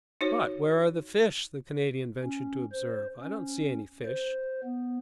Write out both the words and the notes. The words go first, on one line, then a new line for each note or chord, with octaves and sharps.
"But where are the fish?" the Canadian ventured to observe. "I don't see any fish!"
D#4 F#4 C5 C#5
C#4
C5
C#4
C5
B3